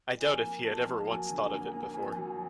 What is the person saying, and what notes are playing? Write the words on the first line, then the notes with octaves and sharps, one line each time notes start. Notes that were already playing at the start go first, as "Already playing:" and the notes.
I doubt if he had ever once thought of it before.
F2 G#5
A#3
F2 A5
A#3
F#3 G#5
D3
A#3
A#3
F2
F#3